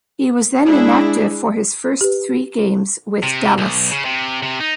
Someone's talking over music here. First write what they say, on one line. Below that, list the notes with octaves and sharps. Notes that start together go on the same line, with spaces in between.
He was then inactive for his first three games with Dallas.
G#3 D4 E4 G#4
G4 B4
C3
B1
C#3
C3
C3
D#4